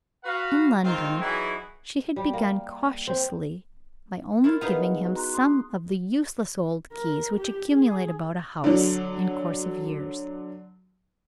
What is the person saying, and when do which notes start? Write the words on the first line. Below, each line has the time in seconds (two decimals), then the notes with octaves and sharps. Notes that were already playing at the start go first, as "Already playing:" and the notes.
In London, she had begun cautiously by only giving him some of the useless old keys which accumulate about a house in course of years.
0.24 F#4 B4 F5
0.83 C3 D#3 G#3 C4 D#4 F4
1.21 E3 F#3 D#4 E4 G#4
2.16 G3
2.33 A#3
3.07 C4
4.44 E4 F4 A#4
4.61 B3 D#4 G#4 F5 F#5
5.04 F#4 B4
5.16 A#5 C6 F#6
5.34 C6 D#6
6.93 A#4
7.37 G4
7.72 G#4
8.64 D3 F#3